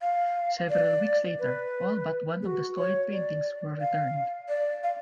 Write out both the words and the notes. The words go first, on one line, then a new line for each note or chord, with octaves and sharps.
Several weeks later, all but one of the stolen paintings were returned.
F5
D5
B4
G#4
F#4
C#5
D5
F5
D5
F5